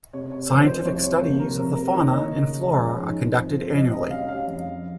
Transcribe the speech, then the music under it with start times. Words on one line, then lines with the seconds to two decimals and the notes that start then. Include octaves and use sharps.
Scientific studies of the fauna and flora are conducted annually.
0.13 C3 C#5
0.31 C#5
0.49 F3 C4 C5
0.67 C5
0.85 C2 C#5
1.04 C#5
1.21 C3 F3 A#3 F4 C5
1.40 A#4
1.57 C3 A#4
1.75 A#4
1.94 D#3 A#3 C#5
2.12 D#5
2.30 C#3
2.66 F3 G#3 C#4 F4
3.03 G#2
3.38 F3 C4
3.74 C3 D#5
3.93 D#5
4.10 G3 C#4 F5
4.28 F5
4.47 F2